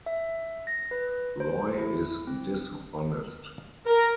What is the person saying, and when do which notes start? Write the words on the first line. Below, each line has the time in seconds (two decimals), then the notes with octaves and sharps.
Roy is dishonest.
0.06 E5
0.67 A#6
0.91 B4
1.40 C5
1.78 E4
2.27 C4
3.85 A#4